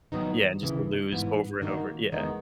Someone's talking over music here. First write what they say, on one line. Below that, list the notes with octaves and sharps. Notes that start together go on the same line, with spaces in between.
Yeah, and just to lose over and over, yeah.
D#3 F#3 B3 D#4
D#2 C#3 E3
G#2 E3 B3 E4
D#3 A#3 D#4 F#4
E2 D#3 G#3 B3 D#4